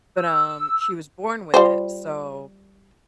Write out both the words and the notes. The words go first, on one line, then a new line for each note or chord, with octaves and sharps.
but, um, she was born with it, so
E6
G3 F4 C5